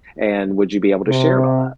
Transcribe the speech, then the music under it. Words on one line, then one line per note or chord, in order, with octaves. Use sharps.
And would you be able to share about that?
C3